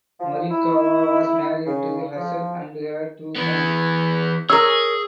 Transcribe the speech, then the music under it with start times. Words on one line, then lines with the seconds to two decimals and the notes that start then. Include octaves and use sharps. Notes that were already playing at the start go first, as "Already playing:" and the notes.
Morikawa was married to Hazel and had two sons.
0.20 F3
0.50 E4
1.66 C#3
2.16 F3
3.36 E3 B3
4.50 G#4 A#4 C#5 E6